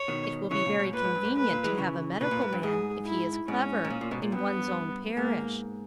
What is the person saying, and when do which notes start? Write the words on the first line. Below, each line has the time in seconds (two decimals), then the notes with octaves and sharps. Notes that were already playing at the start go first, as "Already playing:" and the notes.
It will be very convenient to have a medical man--if he is clever--in one's own parish.
Already playing: C#5
0.08 B2 D#3
0.51 C#3 E3 C#5
0.65 A#2 C#3
0.79 G#2 B2
0.93 A#2 B4
1.04 G#2
1.15 G2
1.25 G#2
1.36 G#2 B4
1.51 A#2
1.64 E3 G#3
1.78 C#3 E3
2.20 A#2 C#3 B4
2.31 A#2
2.42 G#2
2.52 G2
2.63 G#2 G#4
3.05 E4
3.48 G#2 C#4
3.85 G#2
3.90 A#2
4.01 A#2
4.11 G#2 B2
4.22 A#2
4.32 G2 B3
5.17 G#2 A#3